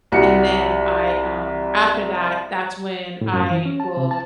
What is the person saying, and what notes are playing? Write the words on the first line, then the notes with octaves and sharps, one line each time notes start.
and then I, um after that, that's when I will,
C2 F#4 C#7
A2
F#2
E3
C#4
A5
C3
A5